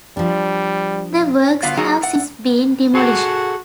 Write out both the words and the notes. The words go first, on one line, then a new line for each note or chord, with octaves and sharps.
The works have since been demolished.
F3 G3 D4
G2 D3 F#3 B3 F4 F5
F#3 A#3 D#4 F#4 G#4
A2 F#5
F#4 G#4 A4 F#5